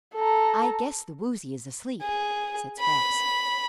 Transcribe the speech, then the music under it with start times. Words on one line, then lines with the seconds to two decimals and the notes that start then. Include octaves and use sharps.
"I guess the Woozy is asleep," said Scraps.
0.15 A4 A#5
2.01 G#4
2.80 B5